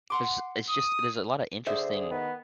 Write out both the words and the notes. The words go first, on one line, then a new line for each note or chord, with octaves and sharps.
there's it's just, there's a lotta interesting
F#5 C6 D6
D#6
D3 G#4 C5 E5
D#3 B3